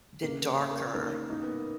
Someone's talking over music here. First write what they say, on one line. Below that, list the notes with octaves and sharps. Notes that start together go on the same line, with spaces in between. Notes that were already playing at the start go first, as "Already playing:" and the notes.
the darker,
C#3 A#3
C#3
A#3
A#3 D#4
D#4
B3